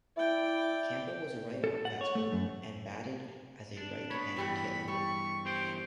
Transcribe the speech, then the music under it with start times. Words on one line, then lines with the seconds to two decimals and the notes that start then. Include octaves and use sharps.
Campbell was a right arm fast bowler, and batted as a right-handed tail ender.
0.17 E4 D5 G5
1.64 A4
1.85 F#5
2.01 C#5
2.15 A3
2.32 F#2
3.77 D4
4.10 B3 C#5 B5
4.36 G2 E3 G3 F#5
4.88 G3 C#6
5.45 E2 G4 C5 G5